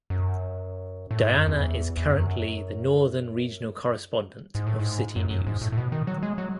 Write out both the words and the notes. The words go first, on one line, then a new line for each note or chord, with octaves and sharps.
Diana is currently the Northern Regional correspondent of Citi News.
F#2
A2
G#2
F#2
E2
E2
F#2
G#2
A2
G#2
F#2
F#2
G#2
A2
A2
B2
D#3
F#3
G#3
F#3